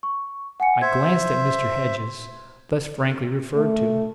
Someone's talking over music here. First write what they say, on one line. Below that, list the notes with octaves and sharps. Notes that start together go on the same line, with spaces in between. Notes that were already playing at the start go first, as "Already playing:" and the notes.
I glanced at Mr. Hedges, thus frankly referred to.
C#6
F#5 G#5 C#7
C5 E5 G#6
A3